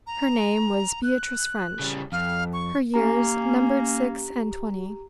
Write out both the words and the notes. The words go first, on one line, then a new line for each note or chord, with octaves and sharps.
Her name was Beatrice French; her years numbered six and twenty.
A#5
F#6
C#3 G3
F2 F5
C#6
A#3 C#4 G4 A#5